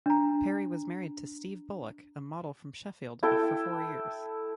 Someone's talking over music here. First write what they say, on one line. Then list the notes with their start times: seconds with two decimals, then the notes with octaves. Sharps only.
Perry was married to Steve Bullock, a model from Sheffield, for four years.
0.06 D4 A#5
3.23 E4 A4 G5